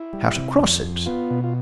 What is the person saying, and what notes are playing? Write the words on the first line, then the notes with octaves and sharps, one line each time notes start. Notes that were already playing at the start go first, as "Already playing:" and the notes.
How to cross it?
Already playing: E4
G3
C3
F2
F2
B3 F4
B2
F4